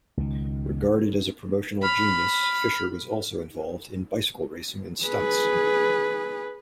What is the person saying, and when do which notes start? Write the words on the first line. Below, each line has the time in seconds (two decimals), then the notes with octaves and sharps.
Regarded as a promotional genius, Fisher was also involved in bicycle racing and stunts.
0.17 C#2 D#3
1.83 B5 F6
5.03 G#4 B4